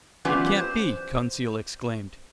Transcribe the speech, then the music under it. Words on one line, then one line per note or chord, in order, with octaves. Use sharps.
"It can't be!" Conseil exclaimed.
E3 F#3 G3 B3 C#4 F4
C5